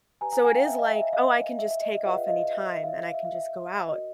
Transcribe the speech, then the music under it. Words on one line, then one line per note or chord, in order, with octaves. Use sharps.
So it is like, "Oh, I can just take off anytime, and I can just go out,"
G4 B4 D5 G#5 A#5
G#5 A#5
F#5 G#5
F5 G5
E5 F#5
D#5 F5
E5
E5
D#5 F5
E5
E5
D#5
E5
F4 G#4 B4 D5 D#5 F5
E5 F#5
D#5 F5
D#5
E5
E5
F5
E5
F5
E5
F5
E5
F#4 A#4 C#5 D#5